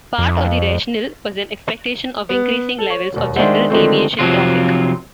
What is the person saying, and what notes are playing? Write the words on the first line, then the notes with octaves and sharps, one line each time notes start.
Part of the rationale was an expectation of increasing levels of general aviation traffic.
F2
B3
A4
C#5
E1 D#2
D#3 G#3 D4 C5 E5 F#5
D3 D#3 F3 G#3 A3 C4
C3 F3 F#3 C4 F4